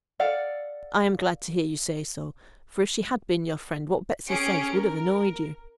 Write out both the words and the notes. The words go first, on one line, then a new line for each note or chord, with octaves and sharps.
'I am glad to hear you say so, for if she had been your friend, what Betsy says would have annoyed you.'
A4 D5 F5 F#5
C#4 G4 G#4 C#7 D7
A#4